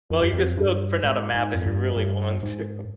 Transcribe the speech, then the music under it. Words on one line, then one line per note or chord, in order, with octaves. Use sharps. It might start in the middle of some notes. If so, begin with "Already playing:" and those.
Well, you could still print out a map if you really want to.
F2
G2
F2
G2
G#2
G#2
F2
G2
G2
G#2